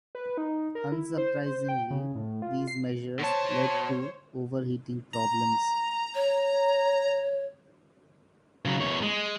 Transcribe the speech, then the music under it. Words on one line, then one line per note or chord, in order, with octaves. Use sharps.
Unsurprisingly, these measures led to overheating problems.
B4
D#4
A#4
E4
C5
C5
G5
C#3
A2
F4
C7
B2 C5 C#5 A5
A#5
C#5
C#3 F#3
E2 C#5
G#3